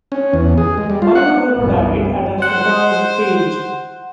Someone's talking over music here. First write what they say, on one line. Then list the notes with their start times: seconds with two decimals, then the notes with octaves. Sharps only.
Cordovero died at an advanced age.
0.12 C#4
0.33 E2
0.58 G#4
0.78 G#3
0.90 G3
1.02 F4
1.15 F#5
1.58 G1 C2 G2 C#3 E3 B3
2.42 C5 F#5